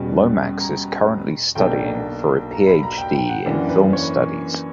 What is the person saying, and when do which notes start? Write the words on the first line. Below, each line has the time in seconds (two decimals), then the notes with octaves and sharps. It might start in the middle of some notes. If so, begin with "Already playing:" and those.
Lomax is currently studying for a phd in Film Studies.
Already playing: E2 B2 G3 C#4
0.60 A#5
1.55 B1 B2 A#3 D4 G5
2.51 A#5
2.67 B5
2.83 A#5
2.98 G5
3.15 G5
3.29 F#5
3.46 F#2 E3 A#3 D4
3.69 B4
3.93 C#5